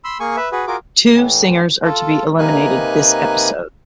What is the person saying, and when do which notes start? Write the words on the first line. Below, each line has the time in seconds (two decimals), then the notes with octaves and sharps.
Two singers are to be eliminated this episode.
0.04 B5 C6 E6
0.20 A#3 G#4 G#5 C#6
0.36 B4 E5
0.52 F#4 G#4 B4
0.67 F4 F#4 G#4 A#4 D6
1.15 A2 E3
1.84 F4 A4
2.39 C3 A#3 D#4 B4 G#5 F#6